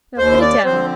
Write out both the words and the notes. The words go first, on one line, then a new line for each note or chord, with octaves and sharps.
Now put it down.
D#2 C5
D5
D3 F3 C4 C5